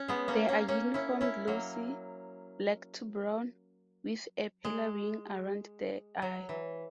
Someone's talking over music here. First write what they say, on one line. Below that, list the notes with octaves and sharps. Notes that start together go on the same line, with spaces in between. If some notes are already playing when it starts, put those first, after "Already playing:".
They are uniform glossy black to brown, with a paler ring around the eye.
Already playing: C#4
G#3 B3
A#3 C#4
A#3 C#4
A#3 C#4
C#4 E4
C#4 E4
F#3 A#3
G#3
F#3
E3